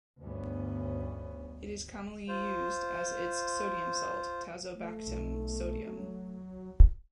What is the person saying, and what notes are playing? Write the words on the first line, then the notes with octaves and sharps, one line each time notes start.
It is commonly used as its sodium salt, tazobactam sodium.
D2 G2 B3 C#4
F4 C5
A3
B1
F#3